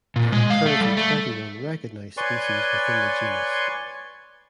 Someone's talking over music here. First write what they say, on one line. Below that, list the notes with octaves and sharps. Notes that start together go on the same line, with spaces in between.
There are currently twenty-one recognised species within the genus.
A#2
G#3
F5
A3
G3
A3
B4 C#5 D5 G#5 C6 C#6